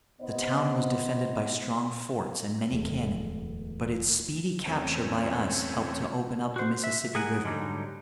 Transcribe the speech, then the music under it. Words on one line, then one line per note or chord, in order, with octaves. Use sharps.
The town was defended by strong forts and many cannon, but its speedy capture by us helped to open up the Mississippi River.
C3 B3 D#4 C5 D#5
D1 E2 G#3 A3
E2 A3 C4 C#4
F#4 C5
E5
G#4 A#4 F#5 G#5
G#2 D3 F#3 G3 D#4